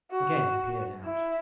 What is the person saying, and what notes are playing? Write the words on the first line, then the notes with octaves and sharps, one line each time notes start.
Again he peered out.
F#4
E4